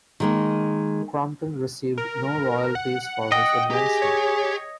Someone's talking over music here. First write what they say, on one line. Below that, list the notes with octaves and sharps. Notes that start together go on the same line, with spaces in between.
Crompton received no royalties for his invention.
D#3 G#3 A#3
A#4
F#5
D#5 G5
G4 G#4
C#5